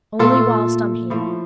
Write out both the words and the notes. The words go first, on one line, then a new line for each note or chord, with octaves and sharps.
'Only whilst I'm here.'
A#2 A3 F4 A4
A2 F3 A3